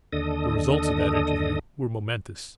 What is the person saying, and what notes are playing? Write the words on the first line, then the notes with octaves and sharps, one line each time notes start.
The results of that interview were momentous.
D#2 D3 D4 A4 D#5 D#6